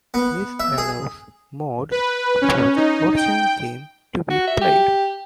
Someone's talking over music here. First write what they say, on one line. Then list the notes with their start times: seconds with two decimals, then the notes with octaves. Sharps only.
This allows mods for the original game to be played.
0.14 B3
0.60 E5
0.78 G#4
1.92 B4
2.42 C#4
2.76 D#4
3.16 G5
4.30 F#4
4.47 E5
4.61 G4